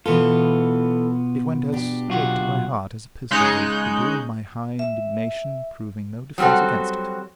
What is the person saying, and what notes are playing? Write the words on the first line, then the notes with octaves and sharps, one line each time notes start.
It went as straight to my heart as a pistol bullet could do, my high indignation proving no defence against it.
B2 E3 B3 F4 A4
D4 G4
B1 F4 F#4
C#3 G#3 D#4 C#5 F#6 G6
E5
F#3 G3 C4 F#4 A4